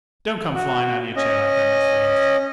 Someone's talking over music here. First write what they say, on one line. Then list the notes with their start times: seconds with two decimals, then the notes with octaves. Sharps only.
Don't come flying out of your chair like that, Mr Venus!'
0.55 F#4
1.16 C#4 D#5